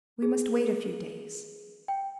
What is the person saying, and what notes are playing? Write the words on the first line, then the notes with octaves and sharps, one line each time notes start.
We must wait a few days.
G#4
G5